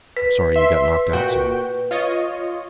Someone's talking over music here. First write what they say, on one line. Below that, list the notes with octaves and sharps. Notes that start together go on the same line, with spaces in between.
"I'm sorry you got knocked out so."
B4
E5 C6 B6
A#2 F#4 G5
F4 C#5 D#5